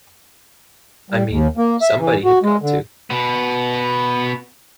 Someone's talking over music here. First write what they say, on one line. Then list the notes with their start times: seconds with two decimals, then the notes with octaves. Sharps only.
I mean, somebody had got to.
1.10 G3
1.29 D#2
1.57 A#3
1.82 E5
1.98 E3
2.25 F#4
2.43 G#3
2.61 D3
3.10 B2 B3